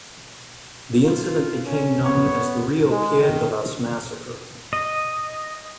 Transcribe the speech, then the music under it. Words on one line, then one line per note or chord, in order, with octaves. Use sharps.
The incident became known as the Rio Piedras massacre.
F4
C#4
B3 C#5
G#3
D#3
D#5